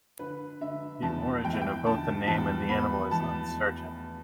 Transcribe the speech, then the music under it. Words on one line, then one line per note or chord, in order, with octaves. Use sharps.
The origin of both the name and the animal is uncertain.
D3 B4
D3 E5
E2 A5
E2 G5
E5
G5
D3 A5
E2 A5
B3 B5
E2 A5